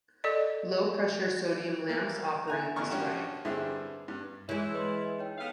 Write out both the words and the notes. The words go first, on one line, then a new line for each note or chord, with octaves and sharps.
Low pressure sodium lamps operate this way.
A4 D5 D#5
E3 A#3
E4 G#5 A#5
A1 E3 D4 C#6 F6
F3 C#4 D4 F#4 G4
G2 D3 C4 E4 G#4
G2
E3 G#3 E4 C#5
B4 D#5 C6
D#4 C#5 G5
B3 A4 F5